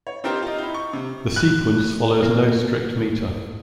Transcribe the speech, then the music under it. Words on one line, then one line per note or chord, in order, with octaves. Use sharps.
The "Sequence" follows no strict meter.
C#5
C4 D#4 F4 G4 A#4 C5
F4 D#5
D#4 E4
C#6
C3
F#6
A#3